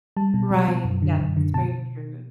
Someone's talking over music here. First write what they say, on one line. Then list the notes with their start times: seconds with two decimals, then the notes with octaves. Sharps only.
Right, yes, that's very true.
0.17 G3 A5
0.34 B2
0.50 B2
0.68 B2
0.85 F#2
1.02 D3
1.20 F#2
1.37 D3
1.54 B2 A5